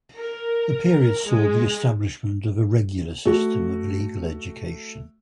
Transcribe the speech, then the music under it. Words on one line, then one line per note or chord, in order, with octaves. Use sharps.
The period saw the establishment of a regular system of legal education.
A#4
G#3
A3 F#4